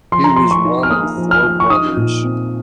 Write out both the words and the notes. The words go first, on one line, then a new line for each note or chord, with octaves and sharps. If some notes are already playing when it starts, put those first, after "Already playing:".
He was one of four brothers.
F3 C6
A#5
F3 C6
C#6
D#4
F6
A#3 D#6
F3
F6
F3
C#6
D#4 D#6
A#2
C4